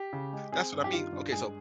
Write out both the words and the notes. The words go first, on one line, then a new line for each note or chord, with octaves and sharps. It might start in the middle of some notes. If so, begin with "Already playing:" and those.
that's what I mean, okay, so,
Already playing: G4
C#3
G#3
C4 G#4
G2
G4
D#3 F4
G2
G#3 G#4